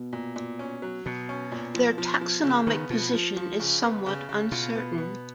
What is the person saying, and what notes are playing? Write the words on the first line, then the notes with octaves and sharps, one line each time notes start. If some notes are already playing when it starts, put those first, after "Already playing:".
Their taxonomic position is somewhat uncertain.
Already playing: B2
A#2
A#2
C#4
F#3
B2 F#3
C#4
A#2
F3
F3
F3
C#3
D#3 B3
B2 F3
F3
F3
C#3
B3
C#3
C#3
B2 F4
B3
B3